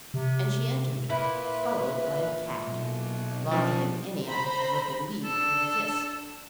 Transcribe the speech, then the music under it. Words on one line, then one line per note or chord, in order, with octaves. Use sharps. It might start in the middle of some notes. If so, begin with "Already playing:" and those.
And she entered, followed by a cat, larger than any I had ever believed could exist.
C3
A#2 E4 B4
B2 F#3
F3 C#4 D4
C5 A#5 B5
D4 A4